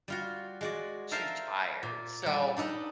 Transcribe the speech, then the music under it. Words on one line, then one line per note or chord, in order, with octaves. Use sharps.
too tired. So,
G3 F4 F#4
G#3 F#4 D5
A4 A#4 C5 E5 F5 A5
A#2
G3 F#5
D4 D#4 A4 B4